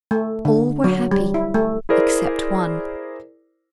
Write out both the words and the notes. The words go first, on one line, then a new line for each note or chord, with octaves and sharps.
All were happy except one.
A3
D3
F#3
G3
E4
A3
E4 G#4 A#4 C5 D5